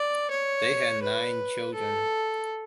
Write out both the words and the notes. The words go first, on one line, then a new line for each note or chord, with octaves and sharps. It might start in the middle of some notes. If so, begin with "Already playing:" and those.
They had nine children.
Already playing: D5
C#5
B4
A4